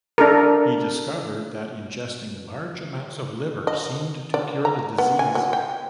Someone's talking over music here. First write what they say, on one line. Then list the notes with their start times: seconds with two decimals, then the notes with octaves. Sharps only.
He discovered that ingesting large amounts of liver seemed to cure the disease.
0.18 D4 A4 A#4
3.67 D#5
4.34 D5
4.65 A#5
4.98 B3
5.19 G#5
5.35 F#3
5.53 G5